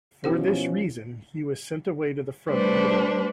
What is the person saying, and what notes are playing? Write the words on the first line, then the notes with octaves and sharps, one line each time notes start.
For this reason he was sent away to the front in Italy.
B2 F3 C#4 E4 G4 C5
G3 A3 D4 B4 C5